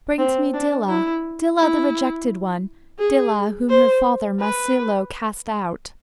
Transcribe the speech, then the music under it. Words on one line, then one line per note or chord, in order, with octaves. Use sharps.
Bring to me Dilah, Dilah the rejected one, Dilah, whom her father Masilo cast out!
C4
D4
E4
E4
G#4
C5
B4